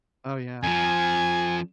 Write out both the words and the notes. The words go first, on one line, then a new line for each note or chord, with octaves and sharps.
Oh, yeah.
F2 F3 G#5